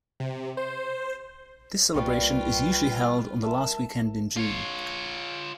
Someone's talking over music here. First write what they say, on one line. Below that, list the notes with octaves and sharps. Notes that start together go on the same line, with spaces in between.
This celebration is usually held on the last weekend in June.
C3
C5
C2 G3 A#3 D4 F4 B4 G5 C#6
A#4 E5 A5
F4 C#5